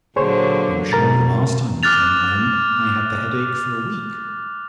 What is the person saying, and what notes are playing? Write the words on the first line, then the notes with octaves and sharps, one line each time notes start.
I'm sure the last time you came home, I had the headache for a week.
A#2 D3 F#3 G#4 C5 C#5
B2 A#4 A#5 A6
D6 F6 F#6 A6 F7